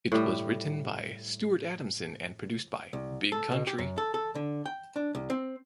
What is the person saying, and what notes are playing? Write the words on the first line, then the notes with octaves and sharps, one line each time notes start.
It was written by Stuart Adamson and produced by Big Country.
A2 G3
C2
A4
B2
G4
F#2
A4
A4
D3
G5
D4
C2
C4